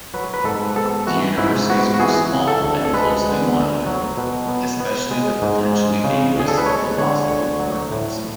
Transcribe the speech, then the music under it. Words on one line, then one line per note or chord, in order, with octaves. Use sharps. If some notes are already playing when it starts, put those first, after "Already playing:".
The universities were small and closely monitored, especially the potentially dangerous philosophy departments.
F#3 B4
B4
G#2 A4
B3 A4
E3 F#4
G#2 E4
B3 F#4
F#4
E3 G#4
C#3
A4
D2
A4
G#3 B4
D3
D2
F#3
B2
B3
B3
G#3
G#2
G#3
C#3
D2 G#4
A4
B4
G#3 C#5
D3 C#5
D2 C#5
F#3
A2